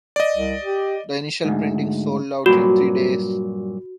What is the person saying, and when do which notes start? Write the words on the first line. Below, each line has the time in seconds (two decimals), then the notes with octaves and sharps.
The initial printing sold out in three days.
0.16 D5 D#5
0.36 C2
0.64 G4
1.45 D2 G#2
2.46 G2 A#2 F#3 F#4